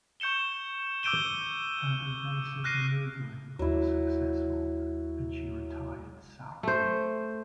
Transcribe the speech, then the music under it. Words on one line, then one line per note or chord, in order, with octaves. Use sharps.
Her evasive maneuvering was successful, and she retired south.
C#6 G6 C#7 E7 G7
D6 E6 G6 D7 D#7 G7
F6 F#6 A#6 C7 D#7
D#2 F#3 E4
A3 C5